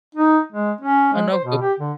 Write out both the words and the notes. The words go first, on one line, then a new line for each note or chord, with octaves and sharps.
Oh no, go
D#4
G#3
C#4
G#3
C5
B2
G4
D3